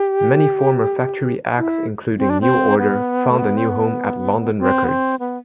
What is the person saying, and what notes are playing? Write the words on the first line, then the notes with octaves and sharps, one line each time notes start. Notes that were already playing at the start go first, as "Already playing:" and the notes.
Many former Factory acts, including New Order, found a new home at London Records.
Already playing: G4
E4
C4
D4
C4
B3
A3
B3
C4
B3
C4
B3
C4
B3